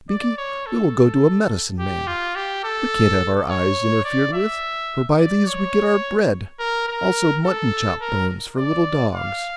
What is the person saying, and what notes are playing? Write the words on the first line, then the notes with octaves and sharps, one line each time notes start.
Binkie, we will go to a medicine-man. We can't have our eyes interfered with, for by these we get our bread; also mutton-chop bones for little dogs.'
D5
C#5
A4
G4
F4
G4
A4
C#5
D5
E5
D5
C#5
A#4
A#4
A4
A#4
D5
F5